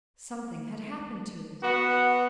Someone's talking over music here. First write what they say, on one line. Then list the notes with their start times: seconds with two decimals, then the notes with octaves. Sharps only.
Something had happened to it.
1.63 B3 F#4